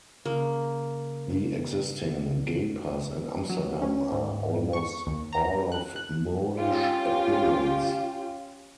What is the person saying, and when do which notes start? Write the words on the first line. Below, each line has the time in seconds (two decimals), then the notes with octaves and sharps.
The existing gapers in Amsterdam are almost all of Moorish appearance.
0.25 C#3 A#3
3.50 F#3
3.82 C#4
4.12 G#2
4.73 C#6
5.07 D#2
5.33 A#5
5.72 F#6
5.96 F#6
6.56 C#4 F4 G4